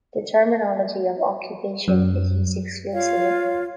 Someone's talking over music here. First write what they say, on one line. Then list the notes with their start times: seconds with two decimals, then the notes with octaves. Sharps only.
The terminology of "occupation" is used exclusively.
1.88 F#2
2.93 F4 C#5 F5